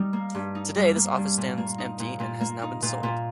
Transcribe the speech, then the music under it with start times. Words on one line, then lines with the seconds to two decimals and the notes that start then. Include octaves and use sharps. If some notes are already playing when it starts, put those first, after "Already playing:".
Today, this office stands empty and has now been sold.
Already playing: G3 D#4
0.13 A#3
0.35 G2
0.55 D#4
0.75 G3
0.96 A#3
1.17 G2
1.37 A#2
1.57 A#3
1.78 D#4
1.99 A#2
2.20 A#2
2.41 A#3
2.62 D#4
2.82 A#2
3.03 A#2